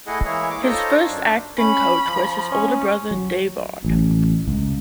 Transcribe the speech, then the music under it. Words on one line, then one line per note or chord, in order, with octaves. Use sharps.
His first acting coach was his older brother, Davood.
A3 E4 G#4 D#5 F#5
E3 G#3 A#3 E4 G#4 C#5
D6
D#4 F4 A4 C5 C#5 D#5
F#2 D4
C#4 B5
F3
C#4
F#3
A1
C#2